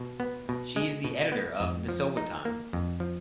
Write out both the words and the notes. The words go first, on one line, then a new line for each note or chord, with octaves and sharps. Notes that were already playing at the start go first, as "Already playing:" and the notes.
She is editor of "The Sowetan".
Already playing: B2
B3
B2
G#3
B2
B3
F2
F3
D#4
A#3
F2
F3